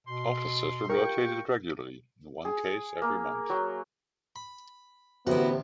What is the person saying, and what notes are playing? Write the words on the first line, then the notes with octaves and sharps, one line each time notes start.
Officers were rotated regularly-in one case every month.
B2 C6
F4 G4 A#4 G5 C#6
G#4
A#3
F#3
B5
A1 D2 C3 B3 E4 F#4